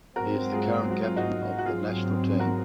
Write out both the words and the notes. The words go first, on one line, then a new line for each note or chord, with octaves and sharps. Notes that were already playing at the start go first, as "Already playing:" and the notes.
He is the current captain of the national team.
G#2 F#3 C4 F#4 A#4
F4 G#4
F#4
F4
D#4 F#4
F#4
G#2 F#3 C4 F4 G#4
F#4 A#4